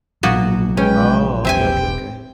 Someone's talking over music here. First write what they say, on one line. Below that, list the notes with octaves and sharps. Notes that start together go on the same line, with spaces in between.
Oh, okay, okay, okay.
A#1 A#2 F#3 A#3 B3 F#4
G#3 C#4 B4 G5
E1 C4 G4 B4 E5 G5 G#5